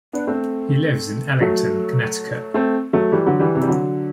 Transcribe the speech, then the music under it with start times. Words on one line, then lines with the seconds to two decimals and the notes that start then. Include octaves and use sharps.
He lives in Ellington, Connecticut.
0.13 B3 D4
0.27 A3 C4
1.41 F#3 A3
2.54 A3 C4
2.93 F#3 A3
3.12 E3 G3
3.26 D3 F#3
3.39 E3 G3
3.55 C3 E3
3.62 G3
3.68 D3 F#3